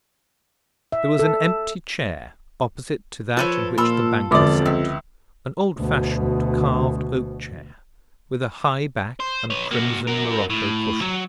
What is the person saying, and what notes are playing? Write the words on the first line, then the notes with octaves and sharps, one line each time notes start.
There was an empty chair opposite to that in which the banker sat; an old-fashioned, carved oak-chair, with a high back and crimson-morocco cushions.
E5
A4
F3 A4 B4 C#5
A#2 F4 A4 B5 E6
E1 F2 D3 G#3 D5 D6
C#2 E4
D2 B2
C5
B4 C#5
A#3 F#4
F#4 A#4
A2
F#3